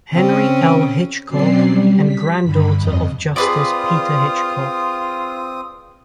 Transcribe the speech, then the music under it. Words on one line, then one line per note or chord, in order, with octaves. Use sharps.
Henry L. Hitchcock and granddaughter of Justice Peter Hitchcock.
C#3 C4 C#4
B2 F#3 C4 C#4 D5 C7
G3
B6
G2 D3 B5
F2 D#5
C4 F4 G#4 B4 D5 D#6